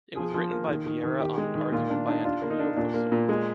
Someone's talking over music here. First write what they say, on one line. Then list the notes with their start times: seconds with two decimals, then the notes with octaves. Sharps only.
It was written by Viera on an argument by Antonio Rosso.
0.16 F3 G#4
0.34 F3
0.51 A#3
0.68 D#3
0.86 D#3
1.03 D#3
1.20 D#3 G4
1.38 G#3
1.55 D#3
1.72 A#2 F4
1.90 D4
2.07 D4 D#4
2.24 D4 F4
2.42 A#3
2.50 D#4
2.59 D4
2.76 A#2 D4
2.94 A#3
3.12 A#2
3.29 G#3